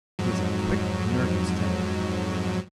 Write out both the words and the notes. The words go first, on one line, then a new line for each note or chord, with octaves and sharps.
He is of quick, nervous temperament.
F2 G#2 F#3